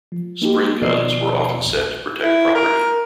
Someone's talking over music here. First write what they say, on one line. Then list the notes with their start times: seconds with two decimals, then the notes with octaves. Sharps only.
Spring-guns were often set to protect property.
0.12 F3
0.42 A#3 D#4 F#4 G4
0.81 D#2 B2 F3 D5 D#5 C7
1.66 A#1 D#2
2.21 E4
2.55 A#4